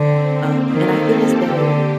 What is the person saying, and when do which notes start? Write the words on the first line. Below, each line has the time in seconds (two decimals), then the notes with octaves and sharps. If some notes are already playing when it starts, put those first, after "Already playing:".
um, and I feel as though
Already playing: D3 C4
0.31 A#3
0.70 D#3 A4
1.10 G4
1.49 D3 G4